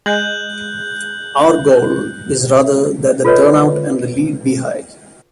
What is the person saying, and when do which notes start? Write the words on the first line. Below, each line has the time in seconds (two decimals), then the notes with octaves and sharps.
Our goal is rather that the turnout and the lead be high.
0.06 G#3 F#6 G6 F#7
3.25 F4 A4 B4 C#5 D#5